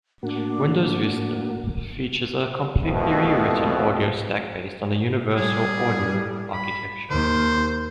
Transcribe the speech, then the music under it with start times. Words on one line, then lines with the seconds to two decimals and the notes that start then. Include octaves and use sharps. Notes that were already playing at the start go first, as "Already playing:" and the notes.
Windows Vista features a completely re-written audio stack based on the "Universal Audio Architecture".
0.23 A2 A#3 D4 F#4
2.83 C2 F2 B2 A3
5.37 A2 G3 G#4
6.53 B5
7.10 D#2 C5